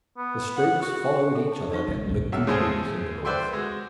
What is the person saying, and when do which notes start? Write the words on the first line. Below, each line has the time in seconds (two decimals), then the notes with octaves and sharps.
The strokes followed each other at lugubrious intervals.
0.17 B3
0.56 F#5
0.82 F#4
1.35 A4
1.52 A5
1.72 D#4 F5 C#6
1.88 C#3 G#3
2.09 A#1 E2
2.32 C#2 F#3 E5
2.47 C#3 F3 G#3 A3 G#4 C5
3.25 B4 C5 D5 E5 G5 C6
3.53 G#3 F#4